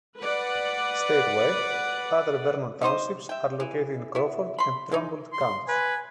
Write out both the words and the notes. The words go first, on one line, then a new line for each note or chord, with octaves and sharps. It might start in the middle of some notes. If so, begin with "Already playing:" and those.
Statewide, other Vernon Townships are located in Crawford and Trumbull counties.
B4 D5 F#5
G3 D#4 C5 D#5
E5 G5
E3
B3 E4
B5 C6
G#3 D#4
C6
B4 G#5